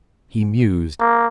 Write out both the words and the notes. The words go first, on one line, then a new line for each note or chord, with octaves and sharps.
He mused.
A#3